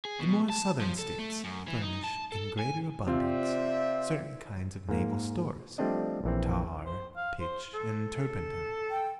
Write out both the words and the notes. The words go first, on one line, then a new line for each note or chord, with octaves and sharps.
The more southern States furnish in greater abundance certain kinds of naval stores--tar, pitch, and turpentine.
G#4
B2
A5
F3
A4
A3
F#2
E3
D#4
A5
A4
G#5
C3 C4 F4 C5 D5 E5
G#2 A#3
F3 G3 A3 C4 D4 D#5
A#1 E3 C4
C5
F5
C5
A4
G5